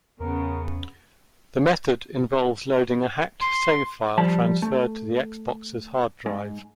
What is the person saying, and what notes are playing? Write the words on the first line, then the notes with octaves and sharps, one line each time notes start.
The method involves loading a hacked save file transferred to the Xbox's Hard Drive.
E2 C#3 B3 A#4
C6
F3 G3 A5
A3
G#2